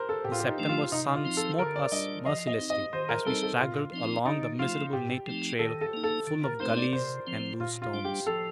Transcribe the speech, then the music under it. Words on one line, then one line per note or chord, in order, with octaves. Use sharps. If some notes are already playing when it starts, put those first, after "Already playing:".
The September sun smote us mercilessly as we straggled along the miserable native trail, full of gullies and loose stones.
Already playing: A#4 C5
A4
A2 G4
F4
G4
D#4
F3 A3 D4
F4
C3 D#4
F4
F3 C4 D#4
A4
D3 A#4
D5
G3 D4 D#5
F3 D#5
D#5
C4 D#4
D#5
D#3 C5
A#4
G3 C4 D#4 A4
A4
A#2 F4
F3 C4 D#4
D3 D#4
F3 A3 F4
A2 G4
F3 A3 C4 D#4
D#3 A4
A4
A#3 D#4
A4
D3
A#4
A3 C4 D#4 C5
D5
C3 C5
F3 C4
A#2 F4
F4
G3 D4
G4
F3 A4